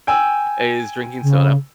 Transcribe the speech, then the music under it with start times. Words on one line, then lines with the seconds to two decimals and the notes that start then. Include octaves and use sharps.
is drinking soda.
0.07 G5 G#5 E6
1.22 C#3